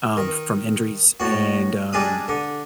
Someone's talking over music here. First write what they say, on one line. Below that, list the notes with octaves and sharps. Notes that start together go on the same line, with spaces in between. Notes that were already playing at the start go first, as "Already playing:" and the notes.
um, from injuries and, um,
D#3
A2 F#4
G3 G#3 D4 D#6
D3